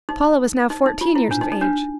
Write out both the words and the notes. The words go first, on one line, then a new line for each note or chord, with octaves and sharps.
Paula was now fourteen years of age.
D#4
D#4
D#4
F4
E4
D4
D#4
D#4
D4